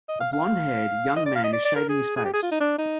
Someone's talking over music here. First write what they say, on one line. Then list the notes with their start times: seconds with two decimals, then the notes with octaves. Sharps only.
A blondhaired, young man is shaving his face.
0.09 D#5
0.20 F5
0.33 F5
1.17 D#5
1.26 D5
1.35 F5
1.44 D#5
1.53 D5
1.65 D5
1.76 A#4
1.89 G#4
2.17 G#4
2.25 G4
2.34 G#4
2.43 F4
2.52 D#4
2.60 D4
2.78 D#4